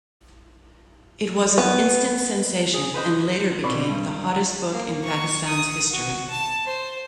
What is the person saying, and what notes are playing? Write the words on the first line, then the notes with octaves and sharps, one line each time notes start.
It was an "instant sensation" and later became the "hottest book in Pakistan's history".
B3
G#4
B4 C5 D#5
B2 C4 D5 B5 C#6
G2
A#3
C#6
D#6
F#4
A5
C5